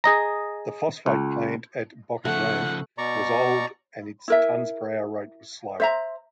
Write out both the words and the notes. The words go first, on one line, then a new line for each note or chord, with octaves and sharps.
The phosphate plant at Boca Grande was old and its tons-per-hour rate was slow.
G#4 D#5 A#5
C#2
C#3 F3 A3 F#5
B2 D5 A#5 C#6
E4 A#4 E5
C5 E5 A#5